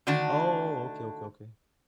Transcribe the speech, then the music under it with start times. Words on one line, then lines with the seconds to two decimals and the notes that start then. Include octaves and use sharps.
Oh, okay, okay, okay.
0.07 D3 D#3 A3 D4 F#4 A5